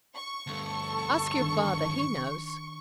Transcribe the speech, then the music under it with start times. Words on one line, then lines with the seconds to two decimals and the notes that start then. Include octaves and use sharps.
"Ask your father, he knows."
0.15 C#6
0.47 D2 G2 A4 A5
1.39 D#3 D4